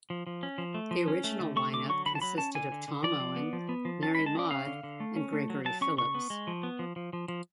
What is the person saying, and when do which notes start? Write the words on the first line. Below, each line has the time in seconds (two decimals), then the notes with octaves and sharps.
The original lineup consisted of Tom Owen, Mary Maude and Gregory Phillips.
0.10 F3
0.27 F3
0.43 C#4
0.58 F3
0.74 A3
0.91 F3
1.08 C#4
1.24 A3
1.40 D3
1.56 A3 C#6
1.73 D3 D6
1.89 F#3 C#6
2.06 D3 B5
2.15 A5
2.22 F#3 B5
2.38 C#4 A5
2.55 D3 G#5
2.72 D3
2.88 D3
3.03 F3 D5
3.20 F3
3.36 B3
3.53 F3
3.69 B3
3.85 F3
4.02 C#4 A5
4.15 B5
4.19 G#3
4.26 A5
4.35 C#4 D5
4.51 C#4 F5
4.67 D3
4.83 D3
5.00 A3
5.16 C#4
5.33 A3
5.50 F#3
5.65 F#3 A5
5.81 C#4 C#6
5.97 C#3 C#6
6.15 B3
6.30 G#3
6.47 F3
6.63 B3
6.79 F3
6.96 F3
7.13 F3
7.28 F3